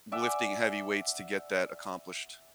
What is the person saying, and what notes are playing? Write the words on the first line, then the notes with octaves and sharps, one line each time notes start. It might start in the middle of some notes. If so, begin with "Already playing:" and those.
lifting heavy weights to get that accomplished.
D5 E5 F#5 G#5